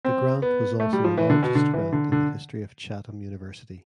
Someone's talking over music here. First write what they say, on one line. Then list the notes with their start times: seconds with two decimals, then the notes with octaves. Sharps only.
The grant was also the largest grant in the history of Chatham University.
0.05 C4
0.42 B3
0.80 A3
0.93 G3
1.04 F3
1.17 E3
1.30 D3
1.43 B2
1.55 D3
1.74 E3
1.92 D3
2.12 D3